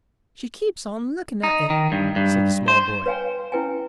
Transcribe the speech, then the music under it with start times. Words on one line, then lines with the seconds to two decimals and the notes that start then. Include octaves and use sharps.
"She keeps on looking at it," said the small boy.
1.43 D#4
1.70 D#3
1.92 G2
2.16 G2
2.68 C5
3.06 B4 C#5 F5 G5 G#5
3.52 C#4 E4 B4 G5 G#5